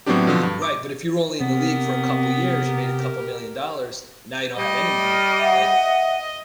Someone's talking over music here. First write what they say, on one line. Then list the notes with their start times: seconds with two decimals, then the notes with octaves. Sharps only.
Right, but if you're only in the league for a couple of years, you made a couple million dollars and now you don't have any money, like,
0.06 A2 F#3 B3 C4 D4 G4
0.27 B2 D3 F3
0.43 G2
0.62 D6
1.40 C3 B3 G4 A#4
4.58 G3 D#5
5.03 F6
5.38 E5 F#5